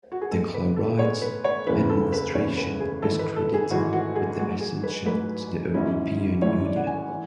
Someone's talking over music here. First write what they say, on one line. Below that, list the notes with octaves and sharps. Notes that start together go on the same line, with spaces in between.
The Clerides administration is credited with the ascension to the European Union.
F#4
G#4
G#2 G#3 B3 A4
B4
A4
G#2 G#3 B3 C#5
B4
C#5
F#1 E2 C#3 E3 B4
A4
B4
F#1 E2 C#3 E3 C#5
B4
G#4
G#1 G#2 E3 A4
B4
A4
G#4
G#1 G#2 E3 F#4
F#4
G#4
A1 G#2 F#3 F#4
G#4
B4
A1 G#2 F#3 B4
G#1 G#2 F#3 C#4 E4
G#1 G#2 F#3 C#4 E4 C#5
D5
F#5
G#5
E3